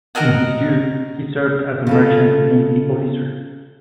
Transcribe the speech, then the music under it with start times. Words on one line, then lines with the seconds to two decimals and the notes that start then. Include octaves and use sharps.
In his youth he served as a merchant navy officer.
0.15 F#4 A#4 D#5 F#5
1.87 C#3 F4 A4